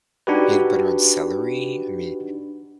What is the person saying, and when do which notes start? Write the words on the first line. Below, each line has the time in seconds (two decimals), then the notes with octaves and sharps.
peanut butter on celery- I mean
0.27 D4 D#4 F#4 G4 B4